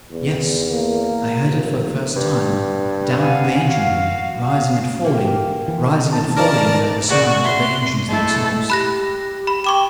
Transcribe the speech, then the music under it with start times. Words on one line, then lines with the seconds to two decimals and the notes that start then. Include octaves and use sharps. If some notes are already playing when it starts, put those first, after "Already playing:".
"Yes, I heard it for the first time--down in the engine-room; rising and falling, rising and falling, like the sound of the engines themselves."
0.12 E2
0.72 A#3
1.44 F1
2.16 G2
3.18 F5 F#5 G#5
3.67 F#4 F5
4.45 F5
5.05 A#3 F#4 G4
5.68 E3
6.13 A5
6.37 D#3 A#4 D5 A5
7.08 A#2 F#4 G#4 D5
7.44 E5 C6
8.09 G#3 A3 E4 A4
8.70 G4 B5 F#6 A#6
9.47 B5
9.64 G5 C#6 D6 E7